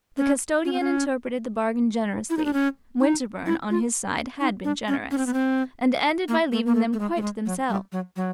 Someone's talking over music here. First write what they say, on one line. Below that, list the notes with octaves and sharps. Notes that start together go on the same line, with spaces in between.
The custodian interpreted the bargain generously--Winterbourne, on his side, had been generous--and ended by leaving them quite to themselves.
C#4
C#4
C4
C#4
E4
D#4
D4
C#4
D#4
E4
F4
D#4
D4
C#4
C#4
C4
B3
C4
A#3
A3
A#3
A3
A3
G#3
A3
G#3
F#3
G3
F#3
F#3